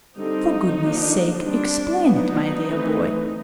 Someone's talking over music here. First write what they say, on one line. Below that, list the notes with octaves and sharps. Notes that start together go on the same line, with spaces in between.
For goodness' sake, explain it, my dear boy.
D3 G3 C4 D#4
D3 F3 A#3 D4
G3 C4 D4
F#3 B3 D4 D#4
E3 A3 C4